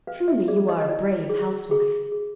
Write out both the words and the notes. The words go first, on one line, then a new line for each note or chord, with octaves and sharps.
Truly, you are a brave housewife!
B4 F5
E5
G#4 D5
D#5
D#5
E4 D5
G#4
G#4
G#4